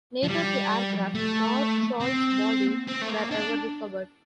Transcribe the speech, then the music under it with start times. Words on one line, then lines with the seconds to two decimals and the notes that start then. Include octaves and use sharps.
Neither the aircraft nor Scholl's body were ever recovered.
0.23 F3
0.28 G3
1.15 A3
2.01 C4
2.88 C4
3.01 A3
3.09 A#3
3.31 D4